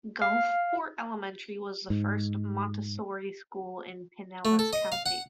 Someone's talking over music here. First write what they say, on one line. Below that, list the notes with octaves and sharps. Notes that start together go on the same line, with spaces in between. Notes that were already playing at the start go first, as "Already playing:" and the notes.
Gulfport Elementary was the first Montessori school in Pinellas County.
F5
G#2
A3
A4
D#5
F5
F#5